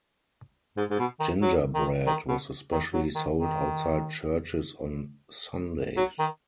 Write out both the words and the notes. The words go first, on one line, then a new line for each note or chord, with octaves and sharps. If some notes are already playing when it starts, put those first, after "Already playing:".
Gingerbread was especially sold outside churches on Sundays.
G#2
G#2
B2
D#3
F#3
D#3
D#3
B2
D#3
F#3
D#3
D#3
F#3
D#3